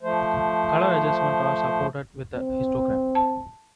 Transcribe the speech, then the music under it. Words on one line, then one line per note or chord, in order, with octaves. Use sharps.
Color adjustments are supported with a histogram.
F3 A3 C5
C4
A5